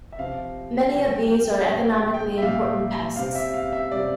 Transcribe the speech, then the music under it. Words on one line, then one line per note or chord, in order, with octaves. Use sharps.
Many of these are economically important pests.
E5
C3 F3 F5
C3 F3 G5
G5
G5
G5
G5
A#2 G3
G5
G5
G5
E5
A#2 G3 F5
C3 G3 F5
E5
F5
E5
C3 G3 D5